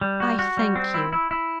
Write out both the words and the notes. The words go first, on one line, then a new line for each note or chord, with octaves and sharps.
I thank you.
G3
F#4
F#4
G3
C4
E4
E4
E4